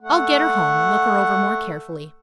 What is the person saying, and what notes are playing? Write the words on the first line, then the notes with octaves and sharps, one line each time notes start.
"I'll get her home and look her over more carefully."
A3 F#5